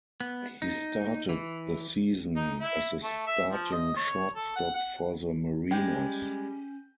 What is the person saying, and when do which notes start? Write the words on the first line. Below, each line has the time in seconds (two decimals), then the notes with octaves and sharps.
He started the season as the starting shortstop for the Mariners.
0.21 B3
0.62 D#4
1.29 E3
2.36 D#4
2.61 E4
3.03 A3
3.27 E5
3.51 F3
3.72 D#5
3.96 C#5
4.35 A4
4.56 F#5
4.75 F#5
5.71 G3 G#3 C#4 G4 G5 G6